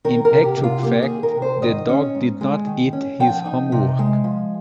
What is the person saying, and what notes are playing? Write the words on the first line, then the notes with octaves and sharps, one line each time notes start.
In actual fact, the dog did not eat his homework.
D#3 A#4
A#4
C3
G4
C3
F4
A#3 G4
G#4
D#3
A#4
C3
C5
D#3 D#5
C#4
G#2
G#3
D#3
C#4
F3 G5
D#4
C3
G#3
F3